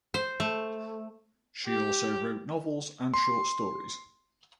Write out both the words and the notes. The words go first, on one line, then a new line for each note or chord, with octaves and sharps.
She also wrote novels and short stories.
C5
A3
G4
C6